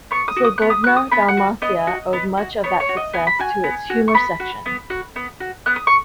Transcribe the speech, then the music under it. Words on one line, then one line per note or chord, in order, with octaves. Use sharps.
"Slobodna Dalmacija" owed much of that success to its humour section.
B3 C#6
D#6
F#4
D#6
B3 F#6
D#6
F#4 F#6
D#6
B3 B5
F#5
F#4
B3 D#5
F#4
B3
F#4
B3 C#5
C#5
F#4
D#5
B3 G#5
B5
F#4 G#5
B3
F#4
C#6
B3 B5
F#4
B3
F#4
B3
F#4
B3 F#6
D#6
C#6